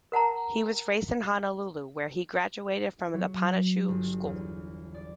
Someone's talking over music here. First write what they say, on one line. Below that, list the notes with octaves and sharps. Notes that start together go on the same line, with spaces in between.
He was raised in Honolulu where he graduated from Punahou School.
A#4 F#5 A5 A#5
F#3
G1
E2
D5